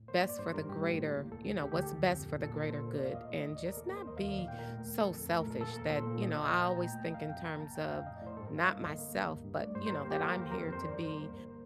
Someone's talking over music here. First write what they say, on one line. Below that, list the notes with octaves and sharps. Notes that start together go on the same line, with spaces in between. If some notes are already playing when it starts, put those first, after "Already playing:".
best for the greater you know, what's best for the greater good, and just not be so selfish that you know, I always think in terms of not myself, but, you know, that I'm here to be
Already playing: A2
A#3 C5
D5
G2
D5
G2 C5
G2 A#4
A2 G4
A2
A#3
C2
D2 A4
D2
D2 G4
G4
D2 A4
F2
F2
A#2
A#2
A4
A#2 A#4
A#2 C5
A#3
D5
D#2 F5
A2 D#5
A2
D#2 D#5
D5
D#2 A#4
A#3 A4
A#4
F2
C5
D#2 D#5
F5
D#2
D5
A#2 F5
G5
A#2
A#4
A3
D2
F2 A4
F2
A3 A#4
A#4
A#2 A4
A#3 A4
D#2 A#4
A#2 C5
A#2
A#3 D#5
D#5
D#2
G5
A#2
A#2 A#5
A5
A3 G5
C2
D#5
F2 F5
F2 G5
A#3 A#5
C2 A5
F2 G5
F2 F5
A2 D#5
D5
A2 C5
G2 A4
A#4
G2
F5
A#3 D#5
D2
A#3
C2
G2
G2
A3 D5
G2 C5
C5
A#3 A#4
G4
D2
G4
A#3 A4
A#4
D#2 C5
F2 A#4
C5
F2
C5
G2 D5
D5
G2 C5
A#3 A#4
D2